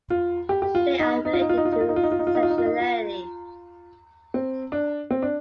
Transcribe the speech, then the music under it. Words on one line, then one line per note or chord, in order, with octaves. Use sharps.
They are related to sexuality.
F4
G4
G4
F4
D#4
D#4
F4
D#4
F4
D#4
F4
D#4
F4
D#4
F4
D#4
F4
D#4
F4
D#4
F4
D#4
F4
D#4
F4
C4
D4
C4
D4